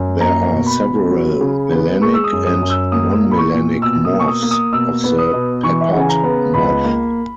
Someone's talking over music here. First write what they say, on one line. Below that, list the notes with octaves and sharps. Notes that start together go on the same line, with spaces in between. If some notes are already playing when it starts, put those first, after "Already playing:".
There are several melanic and non-melanic morphs of the peppered moth.
Already playing: F#2
A#3 A#5
B2
B5
B2
F#3
C#3
B3
G#3 C#6
E6
D#6
F#2
D#6
F#2
E6
A#3 D#6
A#2
B5
C#6
A#2
B2 E6
D#6
A#3
C#6
D#6
A#3
D#6
B2 E6
B3
D#6
B2
E3 C#6
E5
C#3 F#5
G#5
A#5
B3
C#2 B5
A#3